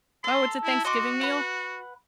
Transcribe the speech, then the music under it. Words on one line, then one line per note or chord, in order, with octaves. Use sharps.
Oh, it's a Thanksgiving meal?
A4 A#5 C6
E4
F#4 D#5 C6 D6
B4 F#5